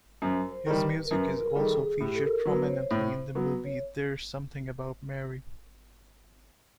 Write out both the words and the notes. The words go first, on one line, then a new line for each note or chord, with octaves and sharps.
His music is also featured prominently in the movie "There's Something About Mary".
F#2 C5
C5
D#3 G3
B4
A#4
F#2 B4
A#4
G#4
D#3 G3 A4
G#4
A2 G4
A4
A#4
A#4
F#3 B3 B4
C#5
C5
C#5
A2 C5
F#3 B3
C#5